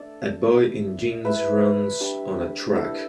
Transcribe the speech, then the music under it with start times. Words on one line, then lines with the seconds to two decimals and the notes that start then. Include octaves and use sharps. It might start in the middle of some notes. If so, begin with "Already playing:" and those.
A boy in jeans runs on a track.
Already playing: A3 D4 A4 D5
0.49 A3 E4
1.24 A3 E4 B4 E5
2.00 G3 D4
2.75 G3 E4 A4 D5